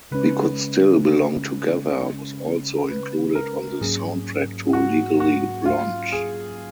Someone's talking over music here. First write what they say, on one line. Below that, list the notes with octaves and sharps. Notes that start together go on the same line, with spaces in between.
"We Could Still Belong Together" was also included on the soundtrack to "Legally Blonde".
C#3 G#3 C#4 B4
B4
A#4
G#2 F#3 A#3 C#4 G#4
F#4
F#4
F4
G#4